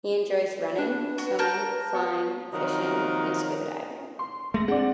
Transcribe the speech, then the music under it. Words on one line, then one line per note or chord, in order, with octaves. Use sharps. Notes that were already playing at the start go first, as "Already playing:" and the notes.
He enjoys running, swimming, flying, fishing, and scuba diving.
D4 B4
F#4
A#4 A5 G6 A#6
B3
C3 D#3 F3 F#3 D#4 A#4
C6
G#3 A3 A#6
C4 D4 G#4 D5 F#5